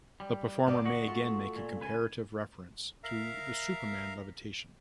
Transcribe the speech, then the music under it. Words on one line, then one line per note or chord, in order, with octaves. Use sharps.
The performer may again make a comparative reference to the Superman levitation.
G3
D2 A#2 G3 A#3 B3 D5
F#4 D#5 F#5
A3 F4
A#2
C#3 B4 G#5
A#4 E5 F5 A#5